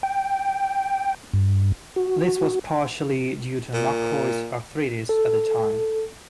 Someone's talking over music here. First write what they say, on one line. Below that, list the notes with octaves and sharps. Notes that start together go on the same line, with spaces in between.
This was partially due to McCoy's arthritis at the time.
G5
G2
F#4
A#2
A4